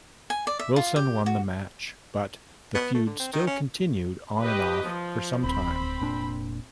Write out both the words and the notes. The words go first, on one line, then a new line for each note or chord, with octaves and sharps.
Wilson won the match, but the feud still continued on-and-off for some time.
G#5
D5
E5
F4
G4
F#4
B3
A3
D3
C4
D#3
C#4
G4 B4 D#5
F3
D1 C4 B5
F1 A#2 D4